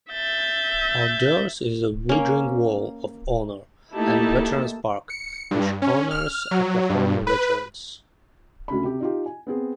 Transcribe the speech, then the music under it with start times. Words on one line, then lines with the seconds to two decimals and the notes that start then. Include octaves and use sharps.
Outdoors is the Woodring Wall of Honor and Veterans Park, which honors Oklahoma veterans.
0.12 E5 G6 A6
2.09 A#3 C#4
3.94 A3 A#3 D#4 E4 G4 A5
5.10 C#7
5.51 G2
5.82 C#4
6.11 F6
6.51 F#3
6.89 G2
7.27 B4
8.68 D2 C#3 B5
8.84 C3 G4
9.01 D#4 F4 G4
9.26 G#5
9.47 B3 C4 G#4